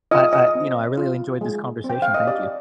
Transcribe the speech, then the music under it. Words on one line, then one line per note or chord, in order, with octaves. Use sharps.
I I, you know, I really enjoyed this conversation, thank you.
F4 D#5
D#5
C4
F4
G#3
C4
G5
F5
D#5
G4 D5